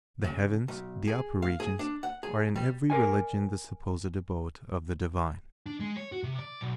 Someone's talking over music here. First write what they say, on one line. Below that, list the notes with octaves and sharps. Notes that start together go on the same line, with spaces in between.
The heavens, the upper regions, are in every religion the supposed abode of the divine.
C#3
B1
G#4
F5
G#4
D4
F#5
G#4
G3
A#4 D5 G#5
D4
G#3
C#5
F#4
C3
D5
B1